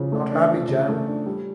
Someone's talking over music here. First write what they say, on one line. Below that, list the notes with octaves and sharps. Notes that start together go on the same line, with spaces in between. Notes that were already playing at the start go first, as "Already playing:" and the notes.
Not happy, Jan!
Already playing: C#3 F3
A3
D4
F3
C#3
A3
D4
G3